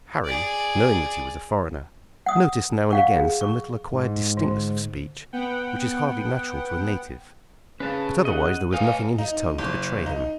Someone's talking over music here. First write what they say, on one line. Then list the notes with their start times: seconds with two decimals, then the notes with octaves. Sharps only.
Harry, knowing that he was a foreigner, noticed now and again some little acquired distinctness of speech which is hardly natural to a native; but otherwise there was nothing in his tongue to betray him.
0.24 G#4 D5
2.26 F#5 D#6
2.91 F5 F#5 C#6
3.16 G#4
3.41 C#6
3.93 G#2
4.37 D3
5.33 B3 F#5 G5
7.80 C#4 G#4 B4 A5
8.25 D#5 F#5
8.73 B4 C#5 D#5 F5 G#5
9.18 D#4
9.58 F#1
10.06 D#4